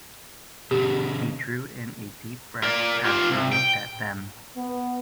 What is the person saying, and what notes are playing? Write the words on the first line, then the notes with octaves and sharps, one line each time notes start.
He drew in a deep breath as he looked at them.
B2 D3 G4
A#4 D5
F4 G4
C2
G5
B3